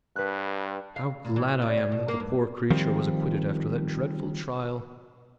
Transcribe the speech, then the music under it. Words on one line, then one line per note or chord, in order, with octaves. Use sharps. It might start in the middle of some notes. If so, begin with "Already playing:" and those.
How glad I am that the poor creature was acquitted after that dreadful trial.
G2 B4 F#6
F5
A#2
E3
F#4
D5
C#4
B2
A#3
G2
D#3 F3 G3 C4